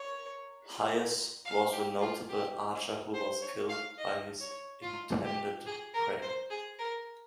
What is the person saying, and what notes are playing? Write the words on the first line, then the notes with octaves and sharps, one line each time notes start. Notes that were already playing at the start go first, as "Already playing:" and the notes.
Hyas was a notable archer who was killed by his intended prey.
Already playing: C#5
F5
G4
F4
G4
C5
C#5
F5
D#5
C#5
F4
G4
G#4
A#4
C5
G#4
A#4